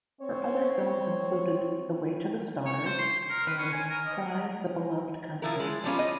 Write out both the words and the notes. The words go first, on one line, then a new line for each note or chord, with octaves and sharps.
Her other films included "The Way to the Stars" and "Cry the Beloved Country".
C4 C#5
C#5
C5
C6
A#4
B4
C#4
G#5
A#4
D#5
F3 E4 A#4
G#3
F3 G3 C#4 F4
D#5